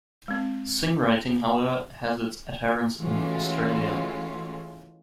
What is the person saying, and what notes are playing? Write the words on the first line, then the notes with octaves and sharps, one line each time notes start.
SignWriting, however, has its adherents in Australia.
G#3 C4
E3 G#3 A3 C#4 F4 F#4